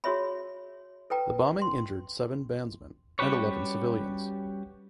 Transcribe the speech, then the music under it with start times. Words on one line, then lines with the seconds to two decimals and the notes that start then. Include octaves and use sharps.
The bombing injured seven bandsmen and eleven civilians.
0.04 F#4 G#4 C#5 E5 B5
1.10 A4 B4 G5 A#5
1.62 C6
3.19 G3 C#4 F#4 G4 B4 C#5